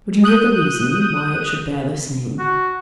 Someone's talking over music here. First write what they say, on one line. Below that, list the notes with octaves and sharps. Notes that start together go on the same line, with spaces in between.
Would you hear the reason why it should bear this name?
D#6 F#6 G6 D#7
F#4